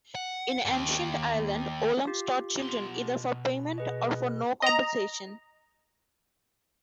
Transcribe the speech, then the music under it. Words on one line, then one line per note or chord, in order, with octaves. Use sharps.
In Ancient Ireland, ollams taught children either for payment or for no compensation.
F#5
D#2 G#2
F4 G4
B2 C6
G#4 B4 D#5
D#5 A#5